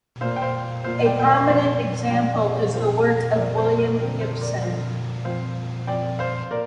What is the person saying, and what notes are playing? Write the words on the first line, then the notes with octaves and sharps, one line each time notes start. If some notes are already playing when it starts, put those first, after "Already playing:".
A prominent example is the work of William Gibson.
A#2 A#3 F4 C5 F5
G5
C5 F5
A#2 A#3 F4 C5 F5
D5 G5
G5
C5 F5
C3 F3 D4 C5 F5
C3 F3 D4 D5 G5
F3 C4 F4 C5 F5
F3 C4 F4 A#4 D5
C5
A#4
D3 F3 C4 F4 A#4
C5
A#4 D5
D3 F3 C4 F4 C5 F5
F3 C4 F4 C5 F5
F3 C4 F4 D5 G5
C5 F5
A#2 A#4 D5